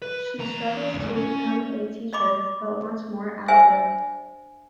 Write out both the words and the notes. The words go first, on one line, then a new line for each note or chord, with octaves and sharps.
She struggles to become a teacher, but wants more out of life.
B4
E2 A#5
D2 G#2
C#4
D5 D#5 B5 D6
D4 C5 E5 G#5 E6